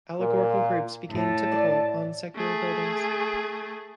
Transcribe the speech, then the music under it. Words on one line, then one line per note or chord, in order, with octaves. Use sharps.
Allegorical groups became typical on secular buildings.
A#2 A#4
A2 A5
D5
A3 G#4